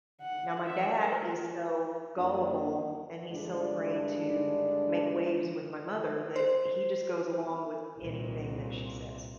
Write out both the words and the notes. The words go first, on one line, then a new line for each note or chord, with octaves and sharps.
Now, my dad is so gullible and he's so afraid to make waves with my mother that he just goes along with anything that she says.
F#5
E5
A#4
F#2 A#3 D4
G2 D3 G#3 D4
C5
C2 A#2